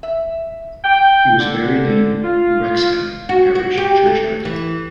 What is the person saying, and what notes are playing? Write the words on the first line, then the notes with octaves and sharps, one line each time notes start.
He is buried in Wrexham Parish Churchyard.
E5
G5
D3
F4
F#4
F#4
G4
A3
E3